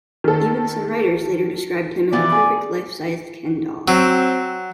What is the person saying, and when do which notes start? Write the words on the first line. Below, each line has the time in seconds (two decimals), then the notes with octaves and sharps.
Even some writers later described him as a perfect life-sized Ken doll.
0.24 D#3 A4
2.12 E3 F3 B3 D5
2.32 G#4
3.88 F#3 C4